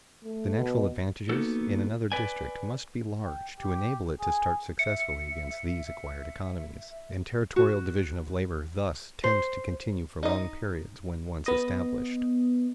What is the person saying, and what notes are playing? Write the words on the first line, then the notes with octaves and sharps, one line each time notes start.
The natural advantages in another district must be large to enable it to start successfully against these acquired economies, and territorial division of labor thus tends to continue for long periods when once established.
A3
B2
A#3 B3 D#4 F#4 A4
B4 D5 G#5
G5
G4
G#4
E5 C#7
F#4
C5
D#4 D#5
B3 D#5